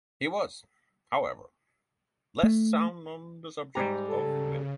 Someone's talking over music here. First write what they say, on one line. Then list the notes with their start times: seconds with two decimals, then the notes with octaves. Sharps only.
He was, however, less sound on the subject of women.
2.43 A3
3.75 G#2 G3 G4 A#5
4.08 C#3 A4